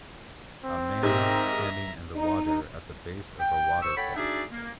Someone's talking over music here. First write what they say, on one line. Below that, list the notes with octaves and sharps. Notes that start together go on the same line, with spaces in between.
A man standing in the water at the base of a waterfall.
C4
G#2 G4 A#4 D#5 E5 A#5
D#4
G5
C5 C#6 E6
A4 C#5 F#5 G5 B5
D4 D#4 F#4 G#4 D5 E5
A#3